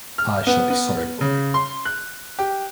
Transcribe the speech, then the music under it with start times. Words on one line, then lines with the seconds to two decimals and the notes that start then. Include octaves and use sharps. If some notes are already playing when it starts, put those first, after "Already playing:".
I shall be sorry for you.
0.18 F6
0.47 B3
0.70 B3
1.21 C#3
1.54 C6
1.85 F#6
2.39 G4